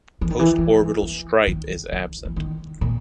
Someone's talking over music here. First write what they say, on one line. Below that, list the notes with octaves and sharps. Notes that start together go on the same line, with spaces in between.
Postorbital stripe is absent.
E3
D#3
E3
E3
E3
D#3
D3
E3
D#3
A#2